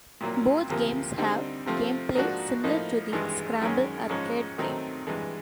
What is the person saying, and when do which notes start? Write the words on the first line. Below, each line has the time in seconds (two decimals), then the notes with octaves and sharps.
Both games have gameplay similar to the "Scramble" arcade game.
0.21 C2 A#2 F#3 A#3
0.69 D2 C3 F3 A#3
1.18 D3 G3 C4 D#4
1.66 C3 F3 A3 C4
2.15 G#2 F3 A#3 D4 F#4
2.64 A2 F3 A#3 D#4
3.12 G#1 G2 E3 G#3
3.61 F#2 D#3 G#3 C#4
4.09 G#2 F3 G#3 C#4
4.58 D#3 F#3 A3 C4 D#4
5.07 G2 E3 G#3